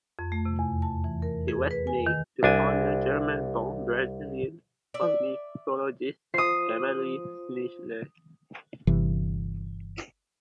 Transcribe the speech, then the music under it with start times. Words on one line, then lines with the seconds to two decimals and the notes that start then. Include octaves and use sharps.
It was named to honour German-born Brazilian ornithologist Emilie Snethlage.
0.19 F2
0.32 A3
0.45 C3
0.59 E2
0.82 A5
1.04 E3
1.22 A#4
1.48 G#4
1.71 B4
1.87 G#5
2.07 D#3
2.43 C2 D4 G#5
4.94 D5 E5
6.34 F4 C5 D#6 C7
8.87 G1 C3 E3